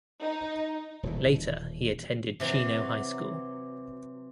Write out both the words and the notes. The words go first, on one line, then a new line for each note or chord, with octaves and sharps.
Later he attended Chino High School.
D#4
D#1 B2 E3
C3 E3 F#3